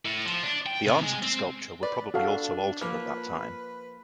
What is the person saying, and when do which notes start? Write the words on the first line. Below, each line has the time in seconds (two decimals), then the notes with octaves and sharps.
The arms of the sculpture were probably also altered at that time.
0.05 A2
0.25 F3
0.43 D4
0.66 G5
0.86 C3
1.03 G#3
1.23 C4
1.83 B4 D5
2.14 D4 F#4 A4 F5
2.81 F3 A#3 B4